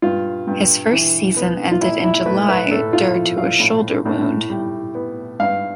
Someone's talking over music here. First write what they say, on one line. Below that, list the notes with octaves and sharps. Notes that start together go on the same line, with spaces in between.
His first season ended in July dur to a shoulder wound.
G2 F4
G2
E3
B3
F4
A1 E4
E4
A3 B4
B4
A2 A4
F4
F3
F5
A2
A2
G3
B3
G2 F5